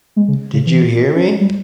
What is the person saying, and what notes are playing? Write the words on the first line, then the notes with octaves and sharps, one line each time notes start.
Did you hear me?
G#3
C#3
C#3
E3
C#4
G#3
G3